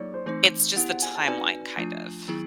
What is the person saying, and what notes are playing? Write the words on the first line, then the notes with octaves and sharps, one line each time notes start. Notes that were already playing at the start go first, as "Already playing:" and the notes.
it's just the timeline kind of.
Already playing: F#3 A#3 D#4 C#5 D5
C5
E3 A3 C4 D#4 C5
B3 E4 G4 F#5
F#5
G#5
A5
C4 D#4 F#4 B4 D5 G#5
F3 A3 D4 F4
D#3 F#3 B3 E4 G#4